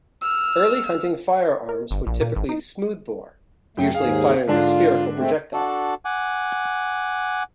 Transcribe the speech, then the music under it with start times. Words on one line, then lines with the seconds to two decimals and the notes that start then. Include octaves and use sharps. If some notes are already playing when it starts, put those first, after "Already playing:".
Early hunting firearms were typically smoothbore, usually firing a spherical projectile.
0.22 E6 F6
1.69 A#4
1.91 G1
2.07 A#1
2.21 A#2
2.36 G#1
2.49 D#4
3.77 F#2 A3 G5
3.95 D#2 G#2 G#4 F5
4.47 G#2 D3 D4 F4
5.16 G#3 A3 C4
5.53 D4 F#4 A4
6.05 F#5 G#5 D6